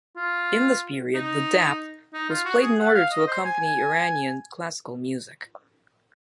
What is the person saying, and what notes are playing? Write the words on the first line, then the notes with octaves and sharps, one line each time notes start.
In this period the "dap" was played in order to accompany Iranian classical music.
F4
D#4
D#4
F4
F#4
G#4
F#5
F5
D#5
C5
G#5
G#5